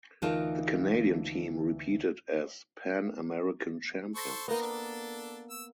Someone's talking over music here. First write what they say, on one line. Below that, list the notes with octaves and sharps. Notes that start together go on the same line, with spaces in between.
The Canadian team repeated as Pan American Champions.
D2 E3 D#4 F4 A#4 A5
A4 C5 C#6
A#3 B3 D#4 D#5
D4 A4
E6